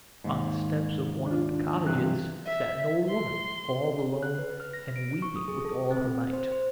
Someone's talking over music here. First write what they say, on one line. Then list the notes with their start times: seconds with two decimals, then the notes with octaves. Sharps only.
On the steps of one of the cottages sat an old woman, all alone and weeping with all her might.
0.24 D#2 G#2
1.26 D4 F4
1.87 G2 C3 E3 F#6
2.46 E5
3.08 C6
4.23 F#6
4.39 B4
4.60 F6
4.73 A#6
4.96 D7
5.22 C#6
5.36 D#6
5.48 G#4
5.65 A4
5.91 C4
6.33 C5
6.51 C5